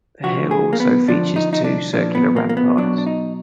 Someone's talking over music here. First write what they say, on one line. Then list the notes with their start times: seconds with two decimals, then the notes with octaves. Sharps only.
The hill also features two circular ramparts.
0.23 D3 F3 F#4
0.51 G#4
0.73 A#3
0.80 B3
1.08 D3 F3 D4
1.36 D#4
1.53 D#4
1.64 D4
1.93 A#2 F3 D4
2.15 B3
2.36 A#3
2.49 A#3
2.57 B3
2.78 B2 F#3 D4
2.98 D4
3.07 D#4